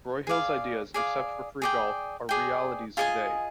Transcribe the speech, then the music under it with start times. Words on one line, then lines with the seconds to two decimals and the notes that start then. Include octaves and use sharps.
Broyhill's ideas, except for free golf, are realities today.
0.27 G#4 D5 F5
0.94 G#4 D5 F5
1.62 G#4 D5 G5
2.29 G#4 D5 G5
2.97 F4 G#4 D#5 G#5